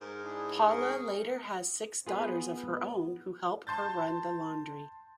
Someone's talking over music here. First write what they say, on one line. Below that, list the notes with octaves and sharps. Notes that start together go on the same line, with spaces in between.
Paula later has six daughters of her own who help her run the laundry.
G#2 A#4
D4 E4 G#4
G#4 A#4 C#6
B3 F4 G#4 B4
A5 C6 G6 A6